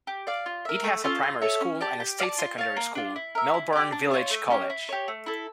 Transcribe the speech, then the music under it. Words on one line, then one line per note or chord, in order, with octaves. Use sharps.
It has a primary school and a state secondary school, Melbourn Village College.
G4
D5 F5
F4
A#4 E5
A3
C#4 F4 A4
F4
A4 C#5 E5
C#4
G4 D5 A5
G4
D5 F5 A5
F4
C#5 F5 A5
A#3
D4 F4
E4
A#4 E5
E4
G4 A#4 D5
D4
F4 C#5
A3
C#4 G4 C#5
E4
G4 C#5
A3
E4 A4